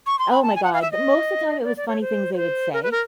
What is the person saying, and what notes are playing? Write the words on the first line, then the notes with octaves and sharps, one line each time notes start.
Oh my God. The most of the time, it was funny things they would say.
C#6
C6
B5
A5
G#5
F#5
F5
E5
D#5
D5
D5
C#5
C5
C#5
C5
A#4
B4
A#4